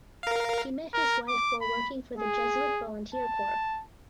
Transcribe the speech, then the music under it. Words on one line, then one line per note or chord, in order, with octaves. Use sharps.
He met his wife while working for the Jesuit Volunteer Corps.
A#4 F5
A#4
D6
B5
G#4
A5